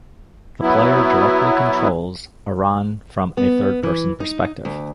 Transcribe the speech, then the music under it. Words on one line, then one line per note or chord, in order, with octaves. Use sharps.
The player directly controls Arran from a third person perspective.
F#3 B3 E4
B3
E3
D#4
D2